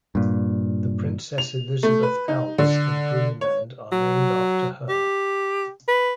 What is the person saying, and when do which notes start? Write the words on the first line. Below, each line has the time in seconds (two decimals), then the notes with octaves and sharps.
The Princess Elizabeth Alps in Greenland are named after her.
0.15 G2 A#2
1.38 F7
1.83 A3
2.03 B4
2.28 D#4
2.58 D3
3.41 C#5
3.92 F#3
4.89 G4
5.88 B4